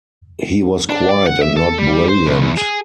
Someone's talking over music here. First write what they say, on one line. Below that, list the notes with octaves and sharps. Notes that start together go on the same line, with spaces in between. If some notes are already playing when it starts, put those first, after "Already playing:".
He was quiet and not brilliant.
D4
D5
F#5
E5
A4
G3
C5
B1
E2
G#4